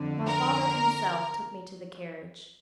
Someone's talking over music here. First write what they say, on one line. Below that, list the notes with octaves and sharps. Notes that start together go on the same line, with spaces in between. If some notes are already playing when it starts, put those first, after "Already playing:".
My father himself took me to the carriage.
Already playing: F2 D3
A#4